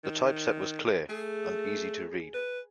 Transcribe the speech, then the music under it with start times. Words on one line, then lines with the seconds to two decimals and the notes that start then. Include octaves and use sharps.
The typeset was clear and easy to read.
0.04 D#3
1.09 A3 G#4
2.34 B4